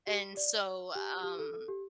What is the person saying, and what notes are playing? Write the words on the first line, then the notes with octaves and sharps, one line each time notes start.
And so, um,
G4
D5
G4
G4
A4
A4
G4